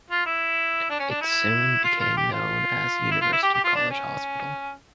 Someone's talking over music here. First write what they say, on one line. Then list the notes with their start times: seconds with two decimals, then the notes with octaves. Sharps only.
It soon became known as University College Hospital.
0.10 F4
0.26 E4
0.90 D4
0.99 C#4
1.10 D4
1.21 E4
1.84 F4
2.00 F4
2.17 G4
2.32 F4
3.11 E4
3.21 F4
3.33 E4
3.43 G4
3.54 G4
3.64 F4
3.75 D4
3.91 C#4